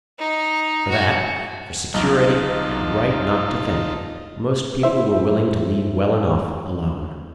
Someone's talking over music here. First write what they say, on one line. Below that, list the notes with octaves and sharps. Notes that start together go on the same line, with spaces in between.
For that, for security and the right not to think, most people were willing to leave well enough alone.
D#4
F#4
B1 D#4 F4 A5
E4 C5 E5